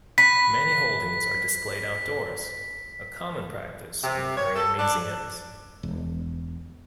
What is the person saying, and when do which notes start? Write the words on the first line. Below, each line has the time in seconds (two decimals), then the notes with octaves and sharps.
Many holdings are displayed outdoors, a common practice in Korean museums.
0.18 B4 B6
4.03 C3
4.37 C#5
4.55 A4
4.78 D4
5.83 E1